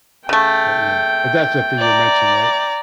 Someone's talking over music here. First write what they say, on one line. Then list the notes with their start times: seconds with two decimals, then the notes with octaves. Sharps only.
but, yeah. If that's a thing you're mentioning, that
0.29 C#3 A3 G5
1.79 D5 A#5